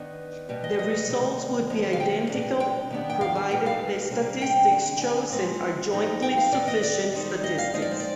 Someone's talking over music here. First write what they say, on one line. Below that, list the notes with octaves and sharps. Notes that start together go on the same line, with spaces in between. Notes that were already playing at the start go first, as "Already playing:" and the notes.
The results would be identical provided the statistics chosen are jointly sufficient statistics.
Already playing: D#3 B3 D4
B2 G3 B3
D#5
D#5
C3 D#3 G3
D3 F3 G#3
F5
G5
B2 G3 D4
G5
D#3 B3 D4
G5
F5
G#5
B2 B3 D#4 G5
F5
C3 G3 D4
G5
D3 G3 D4
G5
G#5
F3 G#3 C4 D#4
F3 C4 D#4
G5
F5
D#3 G3 B3 D5
D#5
D5
D#3 G3 C4 D#4
D#5
F5
F3 G#3 C4 D#4 D#5
D5
C5
D5